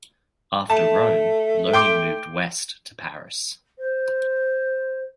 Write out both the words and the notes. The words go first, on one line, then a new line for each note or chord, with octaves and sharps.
After Rome, learning moved west to Paris.
A3 A5
G5 C6 D6
C5